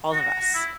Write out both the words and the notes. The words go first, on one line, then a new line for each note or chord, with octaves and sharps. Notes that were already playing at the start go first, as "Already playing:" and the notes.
all of us?
F#4
F#4
E4